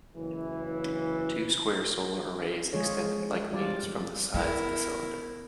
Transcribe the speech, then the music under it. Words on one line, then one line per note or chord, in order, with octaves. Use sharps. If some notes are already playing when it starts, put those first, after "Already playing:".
Two square solar arrays extended like wings from the sides of the cylinder.
F#1 C#3 E3
F3 G#3 F4 G#4 C#5
G3 F4 D5
B3 E4 A#4